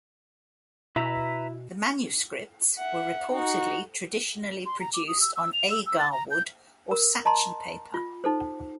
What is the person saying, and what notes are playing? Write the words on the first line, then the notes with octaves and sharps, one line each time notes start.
The manuscripts were reportedly traditionally produced on Agar wood or "sachi" paper.
B2 E4 B4 E5 A#5
E5 F#5
D#4 F#4
C6
A#5
D6
D#6
E6
E6
F7
E6
E6
A6
A#5
G6
A#4
D#5 A5 A#5 C6
F4
D#4 A4 C5